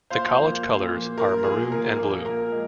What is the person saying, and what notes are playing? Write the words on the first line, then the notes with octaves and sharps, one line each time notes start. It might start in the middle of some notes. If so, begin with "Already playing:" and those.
The College colours are maroon and blue.
A#2 C5 F5
F3 A#3
A#2
F3 A#3
A#2 A#4
F3 A#3 G#4
A#2 A#4
F3 A#3
A#2 A#4
G#3